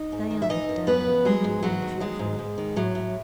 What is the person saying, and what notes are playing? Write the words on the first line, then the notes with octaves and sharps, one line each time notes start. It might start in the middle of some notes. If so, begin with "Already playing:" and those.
Diana looked down on the wounded man fearfully.
Already playing: D#4 D#5
G#2
D#3
E5
E3 D#4 D#5
F#2
F#2 B3 B4
C#3
F#3 G#3 G#4
G#2
G#2 F#3 F#4
D#3
F#3 G#3
G#2
G#2
D#3
A2 F#3
A2